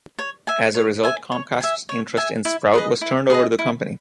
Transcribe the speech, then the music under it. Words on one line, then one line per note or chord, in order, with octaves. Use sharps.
As a result, Comcast's interest in Sprout was turned over to the company.
C#5
E5 G#5
C#5
E5 G#5
C#5
E5 G#5
C#5
E5 G#5
E4
G#4 B4 D#5
E4
G#4 B4 D#5
E4